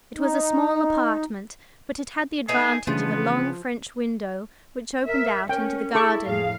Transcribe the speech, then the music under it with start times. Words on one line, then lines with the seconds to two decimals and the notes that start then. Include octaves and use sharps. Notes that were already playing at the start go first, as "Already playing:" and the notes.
It was a small apartment, but it had the advantage of a long French window which opened out into the garden.
0.16 D#4
2.48 A3 B3 D#4 G#4
2.87 C#3 E3 F3 A3 B3 D4
5.07 A#4 E5
5.49 C#4 A#4 G5
5.95 E4 G#4 A4 C#6 D6
6.27 F2 A2 G#4 F5